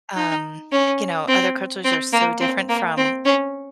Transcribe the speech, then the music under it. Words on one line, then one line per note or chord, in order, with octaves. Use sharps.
um, you know, other cultures are so different from
D#4
C#4
C4
C4
A#3
C4
A#3
C4
C#4